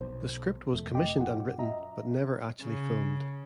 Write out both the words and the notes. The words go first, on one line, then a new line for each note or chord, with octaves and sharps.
The script was commissioned and written, but never actually filmed.
B1 C5
F1 A3
D#5 G5 D6
F#2 A#2 F4 F#5
D#5 E5 A#5
C#3